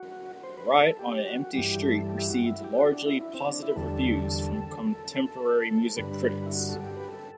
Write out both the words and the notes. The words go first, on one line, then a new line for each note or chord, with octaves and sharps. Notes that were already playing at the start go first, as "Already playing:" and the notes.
"Riot on an Empty Street" received largely positive reviews from contemporary music critics.
Already playing: F#4
C5
B4
A4
G4
F#4
G2 E3 G3 G4
A4
G4
E4
F#4
E4
G4
F#4
D4
E4
E4
C4
D4
E4
B4
E2 D3 G3 A4
A4
G2 D3 G3 B4
E4
F#4
A4
G4
B4
A4